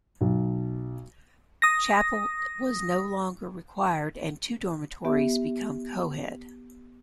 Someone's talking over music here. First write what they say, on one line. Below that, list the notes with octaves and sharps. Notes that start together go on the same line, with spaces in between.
Chapel was no longer required and two dormitories become coed.
B1
D#6 A#6
B3 G4 E5